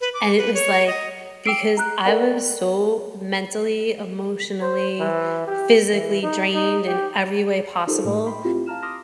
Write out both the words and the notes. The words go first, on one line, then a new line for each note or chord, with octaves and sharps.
And it was, like because I was so mentally, emotionally, physically drained in every way possible,
B4
D6
B4
C#5
D#5
G5 D6 E6 C7 D7
A#5 F#6
A4 A#4 D5 F#5 G5
C5
E3
G4
E3
D#4
D#4
G4
D#4 F4 G4 A4 A#4 C5
A2 A3
G5 B5 C6
C4 E4 F4 G4
F5 A5 A#5 F6 E7
C6 D6 D#6 F6 A#6